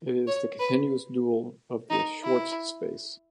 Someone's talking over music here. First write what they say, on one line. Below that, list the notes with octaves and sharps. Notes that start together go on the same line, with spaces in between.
It is the continuous dual of the Schwartz space.
C#5
B4
D#4
E4